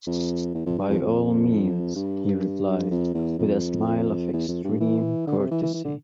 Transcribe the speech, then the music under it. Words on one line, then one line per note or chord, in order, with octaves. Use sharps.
"By all means," he replied, with a smile of extreme courtesy.
F2
E2
F2
G2
F2
F2
G2
F2
E2
F2
E2
F2
G2
E3
D3
C3
E3
E3
E3
D3